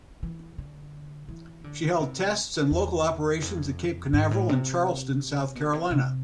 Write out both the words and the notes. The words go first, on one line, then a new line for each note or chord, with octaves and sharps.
She held tests and local operations at Cape Canaveral and Charleston, South Carolina.
E3
D3
E3
D3
C3
E2
F2
G#2
A2
C3
B2
C3
C3